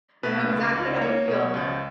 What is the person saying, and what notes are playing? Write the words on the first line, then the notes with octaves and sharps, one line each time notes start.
I know exactly how you feel on that.
B2 B4
C#2
C#2
A#3 C#5
B2
C#2